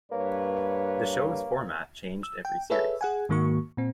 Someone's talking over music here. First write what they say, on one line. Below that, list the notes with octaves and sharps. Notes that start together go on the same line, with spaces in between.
The show's format changed every series.
G2 A#3 B4 C#5
E6
G5
G#4 A4 B4 C#5 E5
G#4 F#5 G#5
G#2 D#3 A#3 F#4 C#6
A#2 C4